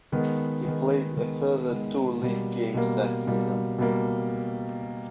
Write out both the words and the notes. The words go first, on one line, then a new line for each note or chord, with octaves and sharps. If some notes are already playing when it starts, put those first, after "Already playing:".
He played a further two league games that season.
D#3 G#3 B3
D#3 G#3 B3
D#3 G#3 B3
D#3 G#3 B3
B2 G3 A#3
B2 G3 A#3
B2 G3 A#3
B2 G3 A#3